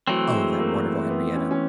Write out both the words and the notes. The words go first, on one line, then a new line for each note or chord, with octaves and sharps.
Oh, that wonderful Henriette!
E3 F#3 A3 C4
G#3
A#3
B3
C#4
C#4